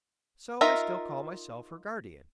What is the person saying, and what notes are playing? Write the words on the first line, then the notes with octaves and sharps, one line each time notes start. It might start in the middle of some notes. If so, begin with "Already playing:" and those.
So I still call myself her guardian.
D#4 F4 A#4 E5